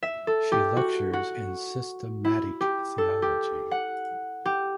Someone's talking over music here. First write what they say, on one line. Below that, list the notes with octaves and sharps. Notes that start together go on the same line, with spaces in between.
She lectures in systematic theology.
E5
A4
G4
F#4
F#4
E4
G4
A4
G4
F#5
G4